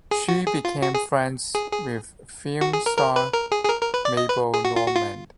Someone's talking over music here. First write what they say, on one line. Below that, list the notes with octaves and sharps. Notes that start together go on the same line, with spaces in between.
She became friends with film star Mabel Normand.
G#4
F#4
G#4
F4
F#4
G#4
G#4
G#4
F#4
G#4
A#4
A#4
B4
A#4
G#4
G#4
A#4
A#4
B4
D5
D#5
B4
G#4
F#4
F4
F#4
F4